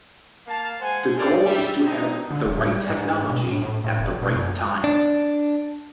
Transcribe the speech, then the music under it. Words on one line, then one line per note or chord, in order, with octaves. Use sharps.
The goal is to have The right technology at the right time.
A#3 F5 A5
G#3 C5 F#5 G#5
D#4 F4 A4 A#4 C5 D5
G3 E5
B3 C4 D4 D#4
D3
D#1
A2
G3
G#2
B2
A2
A2
A2
F1
B2
F#2
D4